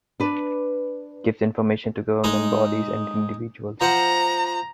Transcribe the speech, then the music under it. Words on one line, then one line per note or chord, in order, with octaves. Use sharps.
Gives information to government bodies and individuals.
D4 B4 D5
G#3 D#4 D#5
F3 C5 F#5 A#5